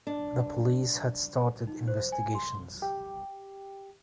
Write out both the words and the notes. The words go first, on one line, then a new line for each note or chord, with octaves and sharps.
The police had started investigations.
D4
D#4
C5
G#5
C6
G4